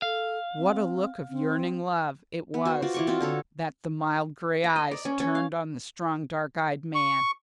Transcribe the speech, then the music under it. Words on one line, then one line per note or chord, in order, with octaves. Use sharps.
What a look of yearning love it was that the mild grey eyes turned on the strong dark-eyed man!
A4 F5
C4
C4
B3
F#4 C5
F4 F#4 D5
E3 D5 C#6
C4 F4 F#4
D3 A4 C#5
A#5
D#5
D5
C#4
C#4
F5
C#6